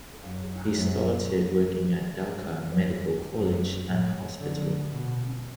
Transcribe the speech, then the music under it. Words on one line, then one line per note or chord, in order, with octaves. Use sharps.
He started working at Dhaka Medical College and Hospital.
F#2
F#2
F#2
E2
F#2
A2
D3
B2